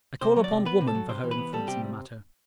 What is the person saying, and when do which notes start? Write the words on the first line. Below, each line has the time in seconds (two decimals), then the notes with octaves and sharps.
I call upon woman for her influence in the matter.
0.21 C3 C5
0.36 F#3
0.44 D5
0.51 C3
0.65 B3 B4
0.81 C3
0.87 A4
0.95 F#3
1.09 C3 C5
1.24 E3
1.31 B4
1.38 B3
1.53 G3 A4
1.67 C3 G4